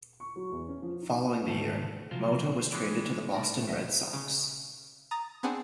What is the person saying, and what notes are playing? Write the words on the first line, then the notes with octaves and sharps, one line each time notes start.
Following the year, Mota was traded to the Boston Red Sox.
C#6
F#3
E2
C#4
F3
D#4
G#2 D#3 A3
C3 F3 F#3 F4
C5
E3 G#3 G4
A2 A#4 D5
D2 D#5 E5
C#3
A#5 D#6 A6
B3 C4 D4 G#4 F#5 G#5